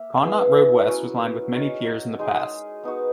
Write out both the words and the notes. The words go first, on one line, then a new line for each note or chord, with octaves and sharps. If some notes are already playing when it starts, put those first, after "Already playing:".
Connaught Road West was lined with many piers in the past.
Already playing: A#3 E5
B3 E4 G#4 B4
F#3 C#4 F#4
D#4 F#4 A#4 C#5
G#3 D#4 G#4
B3 D#4 F#4